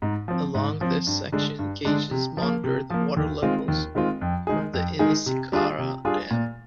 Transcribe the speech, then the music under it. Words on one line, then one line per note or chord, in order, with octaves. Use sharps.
Along this section gauges monitor the water levels from the Inniscarra Dam.
G#2
F3 C4
G#2
F3 C4
G2
D3 G#3 D4
G2
D3 G#3 D4
C3
F3
A#3
C3
F3 A#3
D#2
D#3 G#3 C4 F4
D#2
D#3 G#3 C4 F4
F2
D#3 G#3 D#4 G#4
F2
D#3 G#3 D#4 G#4
C3
G3 D4 F4 G#4
C3
G3 D4 F4 G#4
A#2